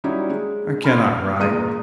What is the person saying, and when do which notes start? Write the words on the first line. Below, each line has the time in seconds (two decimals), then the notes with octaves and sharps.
I cannot write.
0.04 F#3 G3 C#4 D#4 E4
0.30 G#3
0.84 A5 B5 C6 F6
1.39 E2 A#2 G#3 A#5 D#6 D#7